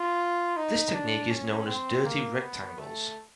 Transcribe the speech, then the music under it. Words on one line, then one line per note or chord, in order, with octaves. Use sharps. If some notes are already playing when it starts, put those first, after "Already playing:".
This technique is known as dirty rectangles.
Already playing: F4
D#4
D4
C#4
C4
A#3
B3
A3